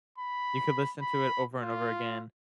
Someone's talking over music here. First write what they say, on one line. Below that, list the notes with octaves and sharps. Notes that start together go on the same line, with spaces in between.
you could listen to it over and over again,
B5
B5
F4